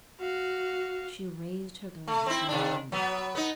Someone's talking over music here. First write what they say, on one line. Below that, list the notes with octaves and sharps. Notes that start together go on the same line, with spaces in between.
She raised her glass and drained it.
F#4 F5
A3
C4 E4
C3 D#3 D4
F#3 B3
B3 D#4